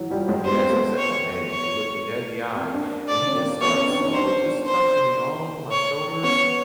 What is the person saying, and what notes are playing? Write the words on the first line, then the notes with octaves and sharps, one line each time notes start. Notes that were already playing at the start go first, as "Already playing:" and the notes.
well, he actually said my name, but he looked me dead in the eye, and he just started slowly just touching me all over my shoulders,
Already playing: E3 F#3
F3 G3
F#3 G#3
B3 C5
C4
A3 B3
C#5
C#5
A#3 C4
C4 D4
D5
C#4
A#3 C4
A3 B3 C#5
B3 C#4
C4 D4
C#4 D#4
C4 D4 C5
C5
C#5
B3 C#4 C#5